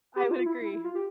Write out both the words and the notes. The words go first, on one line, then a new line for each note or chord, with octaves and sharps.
I would agree.
G4
F4
E4
E4
E4
F4
G4